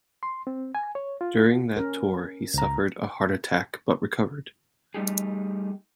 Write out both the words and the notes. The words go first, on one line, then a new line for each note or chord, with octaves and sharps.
During that tour he suffered a heart attack but recovered.
C6
C4
G#5
C#5
F4
C#4 A#4
C#2 A#5
G3 A3 D#4 G4 G#4